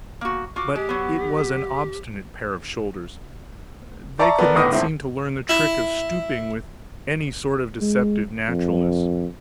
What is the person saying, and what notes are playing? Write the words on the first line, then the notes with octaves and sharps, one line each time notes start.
But it was an obstinate pair of shoulders; they could not seem to learn the trick of stooping with any sort of deceptive naturalness.
A#3 F#4
F4 F#4 D6
G#3 G4
F#3 B3
D5 E5 A5 A#5 C#6
B3 A4 A#4 D5
G1 A2 B3 D6 D#6 A#6
D#1 A3 C4 E4
E4
G#3
F2